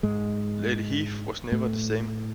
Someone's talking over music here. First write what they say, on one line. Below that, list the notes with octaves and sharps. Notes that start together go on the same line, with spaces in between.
Lady Heath was never the same.
G#2 G#3
A2 A3